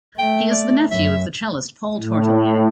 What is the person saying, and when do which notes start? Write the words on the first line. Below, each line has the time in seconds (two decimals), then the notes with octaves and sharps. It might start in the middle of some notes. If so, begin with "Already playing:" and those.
He is the nephew of the cellist Paul Tortelier.
0.18 A3 G5
0.51 D5
0.91 F#2 E5
1.97 A2